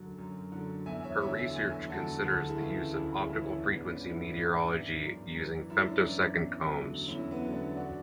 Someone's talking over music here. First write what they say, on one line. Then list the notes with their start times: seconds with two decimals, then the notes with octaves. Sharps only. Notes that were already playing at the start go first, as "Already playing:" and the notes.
Her research considers the use of optical frequency metrology using femtosecond combs.
Already playing: F#2 D3 F#3
0.18 F#2
0.52 D3 F#3
0.86 E2 E5 G#5
1.04 C#5 E5
1.21 D3 F#3 C#5 E5
1.38 E5 G#5
1.56 E2 E5 G#5
1.90 D3 F#3 F#4 A4
2.24 D2 F#4 A4
2.48 E4 G#4
2.60 C#3 E3
2.93 D2 E4 G#4
3.17 E4 G#4
3.29 C#3 E3
3.40 C#4 E4
3.63 G#2 B3 D4
3.86 C#4
3.97 E3
4.05 E4
4.09 B3 D4
4.32 G#2 B3 D4
4.67 E3
5.02 F#2
5.35 E3
5.70 F#2 E4
5.80 D4
5.89 C#4 E4
6.04 E3
6.38 E2
6.74 D3 F#3
7.08 E2 C#4 E4
7.31 B3
7.42 D3 F#3
7.54 B3 D4
7.77 D4 F#4